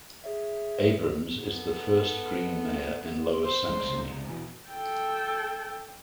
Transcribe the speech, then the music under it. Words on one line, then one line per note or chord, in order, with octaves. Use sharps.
Abrahms is the first Green mayor in Lower Saxony.
G#4 C#5 E5
B3 A4
C5
E2 G#3 C#4
C#2 C3
E2 B2 E3 G#5
A4 G5